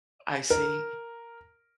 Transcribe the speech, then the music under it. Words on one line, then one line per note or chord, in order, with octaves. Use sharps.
I see.
A#4